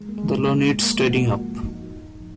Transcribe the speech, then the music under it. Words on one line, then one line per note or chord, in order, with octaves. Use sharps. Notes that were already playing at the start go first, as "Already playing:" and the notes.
The law needs tidying up.
F3 G#3
A#3
G#3
G#2
F3
G#2 A#3
F3 F#4
G#2 F4
F2 D#4
F3
F3